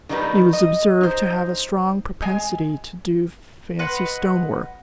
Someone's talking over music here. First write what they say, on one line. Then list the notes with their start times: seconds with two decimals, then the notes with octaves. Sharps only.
He was observed to have a strong propensity to do fancy stone-work.
0.09 D#3 F#3 G3 D#4 F#4 B4
0.53 D#5
1.01 D#4 C5
2.22 G#3 G#5
3.79 B4 D#5 F#5 C6